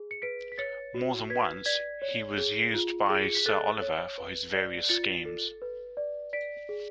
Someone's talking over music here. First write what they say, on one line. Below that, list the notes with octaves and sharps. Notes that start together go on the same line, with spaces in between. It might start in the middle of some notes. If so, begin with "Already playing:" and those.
More than once, he was used by Sir Oliver for his various schemes.
Already playing: G#4
C#7
B4 B6 D7
B6
C#5 A6 C#7
F#4
B4 G#6 B6
D5 G#6 B6
C#5
G#4
F4
G#4 D7
C#7
B6
A4 F#6 A6
C#5
B4
D5
F4 A6 C#7
A4
B4
D5
D5 B6 D7
G#4